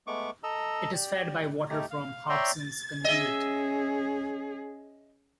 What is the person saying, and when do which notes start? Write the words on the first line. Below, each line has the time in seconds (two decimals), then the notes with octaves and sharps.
It is fed by water from Hobson's Conduit.
0.07 G#3 A3 B3 C#6 D6
0.43 A4 D#5 A#5 E6
0.93 G4 D5
1.70 A3 D#4 G4
1.91 F5
2.29 C#5 D5 E5 G5 A#5 C6
3.04 C#4 G#4 D#5 E5